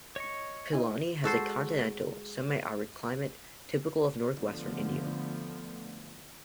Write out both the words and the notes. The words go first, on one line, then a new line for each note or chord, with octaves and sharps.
Pilani has a continental, semi-arid climate, typical of North Western India.
C#5 D#5 C#6
D#4 E4 G#5
G#3 F#4 A4 C5
D3 F3 A3 B3